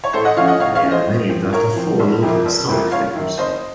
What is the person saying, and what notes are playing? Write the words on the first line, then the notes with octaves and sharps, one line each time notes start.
They are named after four local historic figures.
C#5
A2 A4 C5
D#5 F#5
F3 A3 C#4 C#5 F5
D#5 F#5
A2 C#5 F5
C#5 F5
F3 A3 C#4
C5 D#5
A2
F3 C4
A2 A#4 C#5
F3 C4
F1
F2 C3 F3 A#3
F1
F2 C3 F3 A#3
F#1 C#5 F5
F#2 D#3
F#1 C5 D#5